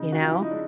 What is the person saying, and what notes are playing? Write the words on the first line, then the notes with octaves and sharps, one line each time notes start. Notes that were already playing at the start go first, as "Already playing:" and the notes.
you know?
Already playing: C#3 D#4
F#4
F3 F4
E4
D#4
G#3 D4